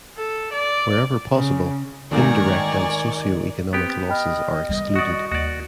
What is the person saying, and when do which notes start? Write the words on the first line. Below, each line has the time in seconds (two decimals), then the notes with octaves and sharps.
Wherever possible, indirect and socioeconomic losses are excluded.
0.16 A4
0.53 D5
1.32 C#3
2.11 D2 G#2 D#3 A#3 D5 G#5 A#5 C#6
3.73 B3 C4 G4
4.09 D#5 G5 B5 F6
4.69 D#3 G3
4.96 F#4 D5 C#6 D#6
5.32 D#2 F#4 D5